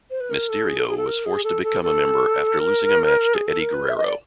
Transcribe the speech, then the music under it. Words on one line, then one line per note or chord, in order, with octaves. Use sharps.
Mysterio was forced to become a member after losing a match to Eddie Guerrero.
C5
B4
A#4
A4
G#4
A4
G#4
A4
A#4
G#4
A4
A4
A4
A#4
G#4
A4
A#4
B4
E5
D#5
D5